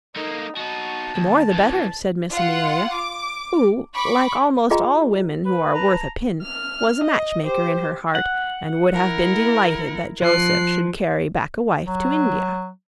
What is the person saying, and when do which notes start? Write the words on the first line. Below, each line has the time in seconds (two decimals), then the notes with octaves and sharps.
"The more the better," said Miss Amelia; who, like almost all women who are worth a pin, was a match-maker in her heart, and would have been delighted that Joseph should carry back a wife to India.
0.16 A3 A#3 D#4
0.57 D#4 F#4 A5
1.15 D#2
1.52 F2 E3
2.31 F4 F#5
2.94 D6
3.95 B5 C#6 D6
4.70 F4 G#4 D#5 G5 A#5
5.46 B4
5.74 A5 A#5
6.43 F6
7.04 D#5
7.46 G4 C5
8.15 F#5
8.93 E4 A#4
10.22 F3 F#6 C7
11.86 F#3